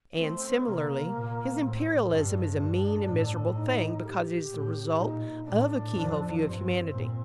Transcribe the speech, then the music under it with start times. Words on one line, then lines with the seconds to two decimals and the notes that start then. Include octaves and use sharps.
And, similarly, his Imperialism is a mean and miserable thing because it is the result of a keyhole view of humanity.
0.15 A3 C4
0.39 C4
0.63 C3 A#3
1.12 A#2
1.60 A2 C4
2.08 G2 D4
2.56 G2
3.04 A2
3.52 D#4
4.00 A#4
4.03 G4
4.48 A2
4.96 A#2 D#4
5.44 A2 D4
5.92 F2
6.40 G2 C4
6.88 A#2